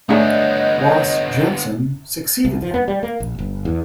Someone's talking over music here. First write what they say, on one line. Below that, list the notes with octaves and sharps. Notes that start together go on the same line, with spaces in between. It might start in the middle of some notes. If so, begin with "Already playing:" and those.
Ross Jansen succeeded him.
D3 A3 B3 D4 G#4 C#5 D#5 G6
C2
F3
B3
G3
A#3
A#1
G1
E2